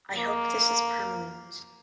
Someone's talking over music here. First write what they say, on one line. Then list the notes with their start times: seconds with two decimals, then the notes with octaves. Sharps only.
I hope this is permanent.
0.17 A#3